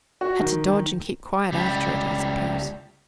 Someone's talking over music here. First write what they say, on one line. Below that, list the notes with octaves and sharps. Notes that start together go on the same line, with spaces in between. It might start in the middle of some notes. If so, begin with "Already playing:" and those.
Had to dodge and keep quiet after it, I suppose.'
F#4
D#3
D#3
C#2 G3